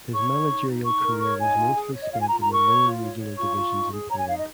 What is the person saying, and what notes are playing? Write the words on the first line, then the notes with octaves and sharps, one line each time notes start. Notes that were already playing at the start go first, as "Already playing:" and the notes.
His managerial career was mostly spent in the lower regional divisions in Poland.
C#5 C#6
C#5
D#4
D#4
D#4 C#6
A#4
C#5 C#6
D#4 G#5
F4
G#4
C#5
D#5
F4 F5
G#5
F4 A#5
A#5
A#4
C#6
C#5
F4
C#5
C#5
F4 C#6
F4
D#4
G#4
C#5 A#5
G#5
D#4 F5
D#5